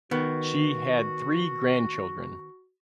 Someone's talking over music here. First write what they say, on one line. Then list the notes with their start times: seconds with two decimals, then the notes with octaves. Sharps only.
She had three grandchildren.
0.11 D#3 B3 F#4